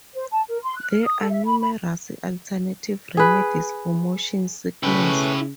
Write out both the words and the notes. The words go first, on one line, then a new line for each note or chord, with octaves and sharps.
There are numerous alternative remedies for motion sickness.
C5
A5
A#4
C6
F#6
F6
D#6
A4
E5
B5
B5
G#4 B4
C#3 A3 C#4 E4 B4 G5